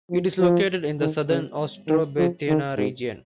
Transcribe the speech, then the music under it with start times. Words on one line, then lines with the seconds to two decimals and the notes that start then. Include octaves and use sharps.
It is located in the Southern Ostrobothnia region.
0.11 F3
0.40 F3
1.00 D#3
1.30 C#3
1.88 D#3
2.19 F3
2.48 D#3
2.77 G#2